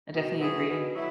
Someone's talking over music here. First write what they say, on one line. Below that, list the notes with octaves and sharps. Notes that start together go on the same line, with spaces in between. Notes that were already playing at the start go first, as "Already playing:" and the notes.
I definitely agree.
B2
F#3 B3 E4 G#4
B2
F#3 B3 E4